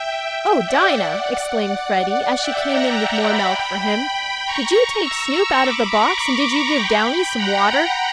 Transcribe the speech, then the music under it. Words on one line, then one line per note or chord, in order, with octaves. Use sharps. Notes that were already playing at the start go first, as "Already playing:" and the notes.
"Oh, Dinah!" exclaimed Freddie, as she came in with more milk for him, "did you take Snoop out of the box and did you give Downy some water?"
Already playing: E5 G5
E5 G5
D5 F#5
D5 F#5
E5 G5
F#5 A#5
G5 B5
A#5 C#6
C#6 E6
B5 D6
A#5 C#6
B5 D6
A#5 C#6
G5 B5
F#5 A#5